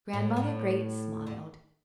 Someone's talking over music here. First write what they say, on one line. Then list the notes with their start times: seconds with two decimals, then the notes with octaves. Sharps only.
Grandmother Great smiled.
0.13 A2
0.36 A2
1.27 D3